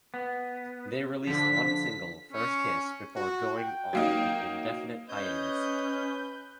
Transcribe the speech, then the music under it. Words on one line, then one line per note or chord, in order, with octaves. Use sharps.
They released one single, "First Kiss", before going on an indefinite hiatus.
B3
D3 F3 B6
C#4
F#4
G5
F#3 A#3 D#4
C#4 B4 C#5 D#5 D#6 G6